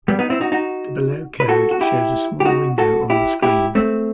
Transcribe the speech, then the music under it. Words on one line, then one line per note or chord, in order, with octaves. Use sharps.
The below code shows a small window on the screen.
G3 B3
B3 D#4
C4 E4
D#4 F#4
D#4 F#4
B4
F#4 A4
F#4
E4 G4
G4
D#4 F#4
F#4 A4
E4 G4
E4 G4
A3 C4